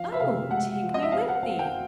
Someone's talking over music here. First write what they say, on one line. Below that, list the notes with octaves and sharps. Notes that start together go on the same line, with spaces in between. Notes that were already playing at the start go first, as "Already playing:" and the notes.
'Oh! take me with thee!'
Already playing: F3 F5
E5
C3 F5
G#3 F#5
F3
D#5
E5
C4 F5
F#5
C4 F5
G5